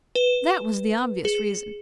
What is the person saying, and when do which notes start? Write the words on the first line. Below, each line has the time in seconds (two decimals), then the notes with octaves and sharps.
That was the obvious reason.
0.15 B4
1.25 G#4